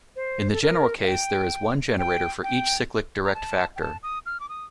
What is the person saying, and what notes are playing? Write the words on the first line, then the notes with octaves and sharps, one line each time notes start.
In the general case there is one generator for each cyclic direct factor.
C5
A4
A#4
F5
G5
G5
G5
A#5
A5
G5
A5
D#6
F6
D6
D#6